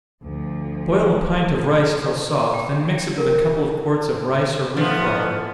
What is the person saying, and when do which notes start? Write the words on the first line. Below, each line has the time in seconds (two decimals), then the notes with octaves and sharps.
Boil a pint of rice till soft--then mix it with a couple of quarts of rice or wheat flour.
0.23 D2 F3
2.54 G5
2.94 G5
3.18 A#4
4.77 A2 F3 B3